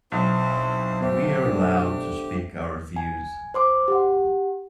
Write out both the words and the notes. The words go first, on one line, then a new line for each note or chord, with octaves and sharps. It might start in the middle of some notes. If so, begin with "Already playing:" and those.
We are allowed to speak our views.
B1 C4 E4 C5
B3 G4 C5 E5
A3 D4
G#5
C5 C6 D6
G4 F#5